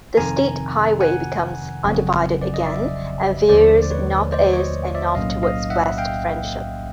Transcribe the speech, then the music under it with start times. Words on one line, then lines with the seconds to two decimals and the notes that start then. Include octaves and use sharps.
The state highway becomes undivided again and veers northeast and north toward West Friendship.
0.17 F2 C3 D#3 G#5 A#5
1.01 F#5 G#5
1.83 G1 F2 C#3 F#3
2.42 D5
2.54 D#5
2.66 D5 E5
3.49 D#2 D3 F3 A3 C5 D5
3.83 D5
3.91 B4 C#5
4.32 C5 D5
4.53 C#5 D#5
4.95 D5 E5
5.15 B1 A2 F#3 A#3 C#4 D#5 F5
5.43 D#5 F5
5.70 E5 F#5
5.98 F5 G5